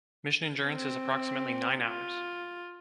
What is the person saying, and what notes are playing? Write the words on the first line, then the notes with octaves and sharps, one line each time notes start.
Mission endurance is approximately nine hours.
C4
F4